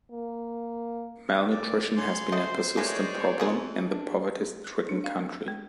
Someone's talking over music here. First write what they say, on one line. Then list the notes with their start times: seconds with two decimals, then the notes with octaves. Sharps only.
Malnutrition has been a persistent problem in the poverty-stricken country.
0.11 A#3
1.50 A#2 D5
1.98 C#3 C6
2.32 A3 F#4 C5 D#5
2.77 D#3 E3 G#3 A3 C#5 D5
3.40 F2 C#3 G#4
3.87 D4
4.64 F#6
4.89 D4
5.04 F5
5.48 G#3